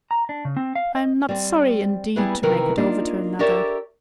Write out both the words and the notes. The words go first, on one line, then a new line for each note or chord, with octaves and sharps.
I am not sorry, indeed, to make it over to another.
A#5
D4
C#3
C4
F5
D#5
G3 C4
G3 B3 E4 G#4 B4
C3 D#3 E3 A#4
A#3 D4 D#4 F4
G4 A4 A#4 C#5 D5 E5